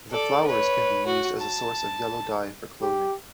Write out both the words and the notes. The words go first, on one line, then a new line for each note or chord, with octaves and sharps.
The flowers can be used as a source of yellow dye for clothing.
A4 D5
B4 C#5
F#4
A5
G4